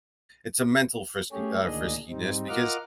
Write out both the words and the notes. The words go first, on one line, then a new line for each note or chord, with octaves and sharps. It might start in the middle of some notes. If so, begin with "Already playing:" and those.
it's a mental frisky uh, friskiness because
A3 C#4 G4 G#4 C#5
D2 A#2 D#3 D4 G#4 D#5
G#2 G3 C4 D#4
F4 A#4 D#5 F#5 D6 F6